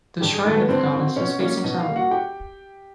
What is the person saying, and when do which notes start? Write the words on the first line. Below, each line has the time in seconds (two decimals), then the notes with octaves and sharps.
The shrine of the goddess is facing south.
0.21 G2 G4
0.34 G#4
0.44 D#3 F#3 A3 A4
0.57 B3 B4
0.69 G2 C4 C5
0.93 D#3 F#3
1.16 B2 C#4 C#5
1.40 G3 A#3 C#4 C#5
1.63 B2 D#4 D#5
1.80 F4 F5
1.88 G3 A#3
1.96 F#4 F#5
2.11 G4 G5